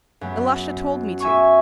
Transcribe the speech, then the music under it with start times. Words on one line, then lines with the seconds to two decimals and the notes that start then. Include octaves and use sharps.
Ilusha told me to.
0.21 F#2 B3
1.20 E5 G#5 C#6